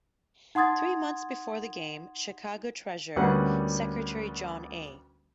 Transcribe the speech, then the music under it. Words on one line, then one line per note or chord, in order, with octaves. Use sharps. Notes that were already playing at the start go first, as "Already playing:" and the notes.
Three months before the game, Chicago Treasurer-Secretary John A.
D#4 F#5 C6 D#6 G#6 A6
D2 G3 A#3 C#4 B4 F#5